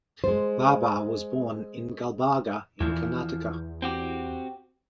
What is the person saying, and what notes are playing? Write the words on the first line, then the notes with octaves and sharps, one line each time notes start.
Babar was born in Gulbarga in Karnataka.
G#3 C5
E2 E3 F3
C4 F#4 G4